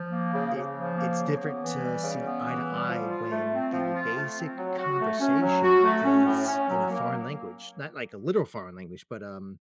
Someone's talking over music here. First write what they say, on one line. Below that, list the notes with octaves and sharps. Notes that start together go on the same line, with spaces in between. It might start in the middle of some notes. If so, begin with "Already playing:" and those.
it it's different to see eye to eye when the basic conversation is in a foreign language- not like a literal foreign language, but, um,
Already playing: F3
A#3
C#3
C#3
F3
A#3
C#3
B3
E3
G3
C#3
B3
E3
G3
F3
F4
A3
C4
F3
F4
A3
C4
F#3
F#4
A3
C#4
F#3
F#4
A3
C#4
A2
C#4
F#3
A#3